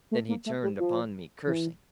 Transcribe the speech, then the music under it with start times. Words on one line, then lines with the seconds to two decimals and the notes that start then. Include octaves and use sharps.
Then he turned upon me cursing.
0.11 A3
0.29 A#3
0.46 A3
0.63 G3
0.79 F3
1.47 E3